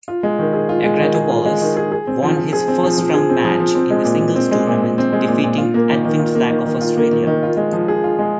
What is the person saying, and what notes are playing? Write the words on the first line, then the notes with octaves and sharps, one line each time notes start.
Akratopoulos won his first-round match in the singles tournament, defeating Edwin Flack of Australia.
F4
G#3
D#3
G#4
F4
G#3
D#3
G#4
F4
G#3
D#3
G#4
G#4
C4
F3
F3
G#4
C4
F3
F3
G#4
C4
F3
F3
C4
G#3
A#2
A#2
C4
G#3
A#2
A#2
C4
G#3
A#2
A#2
F4
A#3
D#3
D#3
F4
A#3
D#3
D#3
F4
A#3
D#3
D#3
F4
G#3
F3
G#4
F4
G#3